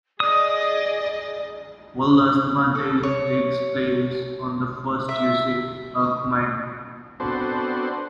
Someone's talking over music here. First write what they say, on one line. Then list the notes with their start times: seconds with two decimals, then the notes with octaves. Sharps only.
World Asthma Day takes place on the first Tuesday of May.
0.20 G#4 D5 D#5 D#6
2.75 A4
3.03 C#5
5.09 E5
7.20 B3 C4 D4 F#4 A4 C5